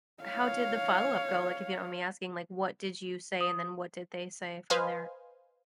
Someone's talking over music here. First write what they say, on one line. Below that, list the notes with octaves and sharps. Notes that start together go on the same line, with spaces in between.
How did the follow-up go? Like, if you don't mind me asking, like, what did you say, and then what did they say from there?
C#5 F5
D#6
B4 C5 D#5 F5 G#5